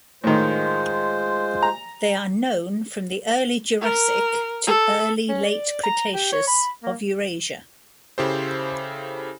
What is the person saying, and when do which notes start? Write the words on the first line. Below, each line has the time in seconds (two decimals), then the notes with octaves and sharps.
They are known from the Early Jurassic to early Late Cretaceous of Eurasia.
0.24 A2 D#3 G#3 F4 C5
1.63 A#5
3.81 A#4
4.67 A4
5.28 C#4
5.44 D5
5.83 A#5
6.13 G4
6.32 C#5
6.47 B5
6.83 A#3
8.18 C#3 E4 G4 A4 C5